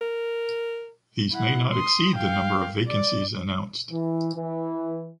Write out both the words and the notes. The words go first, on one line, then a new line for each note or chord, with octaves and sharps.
These may not exceed the number of vacancies announced.
A#4
E4 F#5
C6 D#6
F5 G5
D5
E3
E3